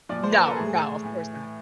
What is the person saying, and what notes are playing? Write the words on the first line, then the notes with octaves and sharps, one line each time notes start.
No, no, of course not.
A#2 F3 D5
C5
B4
A#4
A4
A2 E3 G#4
A2 E3